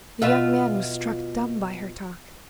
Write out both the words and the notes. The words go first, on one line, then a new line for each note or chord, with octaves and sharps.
The young man was struck dumb by her talk.
B2 F4 E5